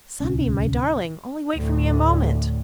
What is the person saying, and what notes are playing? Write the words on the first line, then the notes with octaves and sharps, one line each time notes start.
'Sunbeam, my darling--only wait for me a moment.'
D1 C2 C#4 D4
D2 A2